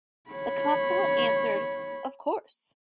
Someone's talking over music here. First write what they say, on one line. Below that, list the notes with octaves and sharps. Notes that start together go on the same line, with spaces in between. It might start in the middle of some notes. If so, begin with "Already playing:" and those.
The Consulate answered "of course".
C#5 B5